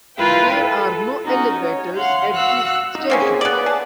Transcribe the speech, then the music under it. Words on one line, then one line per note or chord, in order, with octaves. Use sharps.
There are no elevators at this station.
E4 F4 A#4 B4 F5 G5
A4
C#4 D#4 F#4
C#5
F5 F#5 C6
F#4 F5 F#5 E6 F#6
D#4
A#3 C4 C#4
G#4
B3 D5
B4
G#4 A5